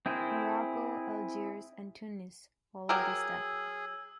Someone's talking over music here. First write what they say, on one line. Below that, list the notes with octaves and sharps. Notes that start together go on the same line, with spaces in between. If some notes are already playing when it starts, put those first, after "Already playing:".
Morocco, Algiers and Tunis followed this step.
C4 E4 G#4 A#4 C5
F#3 G4 G#4 A#4 E6